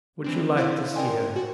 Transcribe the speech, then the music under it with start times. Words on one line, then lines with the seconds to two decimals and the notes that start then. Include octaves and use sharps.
Would you like to see her?
0.24 E3 C4 D4
0.57 E4 C5 F5
0.95 A#4 D5 D#5 G5 G#5 C6
1.36 F#4